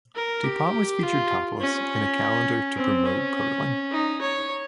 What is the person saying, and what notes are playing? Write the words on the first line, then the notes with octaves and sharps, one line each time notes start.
Dupont was featured topless in a calendar to promote curling.
A#4
G4
F4
C#4
C4
C#4
D#4
C#5